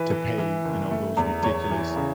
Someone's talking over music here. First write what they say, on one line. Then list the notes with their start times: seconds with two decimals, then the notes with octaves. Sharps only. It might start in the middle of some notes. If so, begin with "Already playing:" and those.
to pay, you know, those ridiculous,
Already playing: E3 B4
0.11 E3
0.38 E3
0.65 F#1
0.91 A3
1.17 E2
1.43 E2 C#5
1.70 E3
1.96 C#3